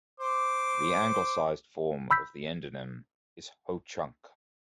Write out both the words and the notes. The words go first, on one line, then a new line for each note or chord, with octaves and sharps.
The anglicized form of the endonym is "Ho-Chunk".
C5 D6
B5 E6 G6 B6